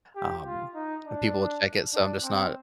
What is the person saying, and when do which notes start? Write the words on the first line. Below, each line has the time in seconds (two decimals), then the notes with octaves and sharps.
um, and people would check it, so I'm just not
0.16 G4
0.46 F4
0.75 D#4
1.05 D4
1.94 D4
2.23 C4